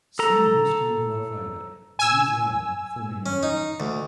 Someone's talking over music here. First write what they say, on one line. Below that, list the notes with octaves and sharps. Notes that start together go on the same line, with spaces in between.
See History of Lafayette, Louisiana for main article.
A4 A#5
G#5 E6
C#4
D#4
D2